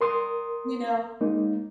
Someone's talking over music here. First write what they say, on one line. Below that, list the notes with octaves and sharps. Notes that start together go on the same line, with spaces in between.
you know,
A#4 C6 D#6
G#3 A#3 D#4